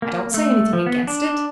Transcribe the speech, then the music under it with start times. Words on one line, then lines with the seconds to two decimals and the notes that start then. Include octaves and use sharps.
I don't say anything against it.
0.02 A#3
0.34 A3
0.73 F3
0.86 B3
1.07 D4